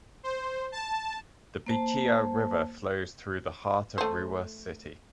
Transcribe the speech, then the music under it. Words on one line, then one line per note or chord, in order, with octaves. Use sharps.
The Bichiya River flows through the heart of Rewa city.
C5
A5
A#3 C5 A5
A3 C5